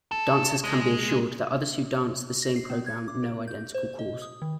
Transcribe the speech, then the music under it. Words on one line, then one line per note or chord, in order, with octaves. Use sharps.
Dancers can be assured that others who dance the same program know identical calls.
A4
G#3
G#3
A#6
C7
B3
G#6
D6
A#4
G6
C5
D#5
D#6
D#3